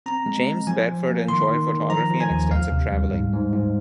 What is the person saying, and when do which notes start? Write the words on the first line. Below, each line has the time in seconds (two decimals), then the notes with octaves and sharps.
James Bedford enjoyed photography and extensive traveling.
0.06 C4 A#5
0.26 G#3
0.47 G#3
0.67 F3 G#5
0.88 F3
1.08 A#3
1.28 D#3 C6
1.49 D#3
1.70 D#3
1.90 F3 A#5
2.11 F3
2.20 G#5
2.30 D#2
2.51 D2 F5
2.72 C3
2.92 G3
3.13 G#2
3.33 G#2
3.53 G#2